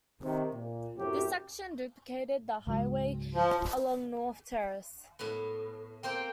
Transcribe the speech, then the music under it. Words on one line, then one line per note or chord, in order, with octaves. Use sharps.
This section duplicated the highway along North Terrace.
C3 D#3
A#2
F#2 A2 C3 F#3 G4
C#2 G#2 F#3
F3
A2 B3
A#3 C4 C5 G5